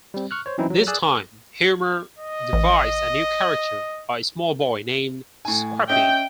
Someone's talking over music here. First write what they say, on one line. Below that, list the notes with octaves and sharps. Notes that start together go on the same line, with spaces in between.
This time, Huemer devised a new character, a small boy named Scrappy.
G3 C4
C#6 F6 F#6
C5 C#5
E3 F#3 C4 C#4 D#4 E4
F#3
G#4 D5 G#5 D#6 E6 F#6
D#5
A1
A2 G#5
C#4 D#5 E5 G5